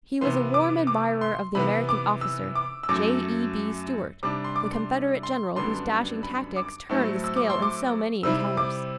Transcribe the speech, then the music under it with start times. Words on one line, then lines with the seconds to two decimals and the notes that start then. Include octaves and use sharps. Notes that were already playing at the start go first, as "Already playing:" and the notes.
He was a warm admirer of the American officer, J. E. B. Stuart, the Confederate General whose dashing tactics turned the scale in so many encounters.
0.21 C3 E3 B3 C6
0.54 D6
0.87 D6
1.21 C6
1.55 C3 E3 B3 B5
1.89 D6
2.21 E6
2.55 D6
2.83 E6
2.89 F#2 F#3 A3 D6
4.23 C3 G3 D4 D6
4.44 C6
4.56 D6
4.73 C6
5.23 C6
5.56 F#2 D3 G3 B3 D4 C6
6.23 B5
6.56 D6
6.89 A2 F#3 A3 C4 E4
7.24 E6
7.36 D6
7.50 C6
7.62 D6
8.23 C3 G3 C4 E4 E6
8.57 D6